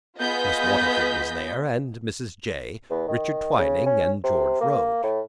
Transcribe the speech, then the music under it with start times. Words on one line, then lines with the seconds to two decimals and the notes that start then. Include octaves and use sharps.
Miss Waterford was there and Mrs. Jay, Richard Twining and George Road.
0.19 B3 F4 G#4 D#5 G6 B6
2.90 E2
3.08 D#3
3.58 C#3
3.86 C#4
4.24 C3
4.60 A#3
5.03 A2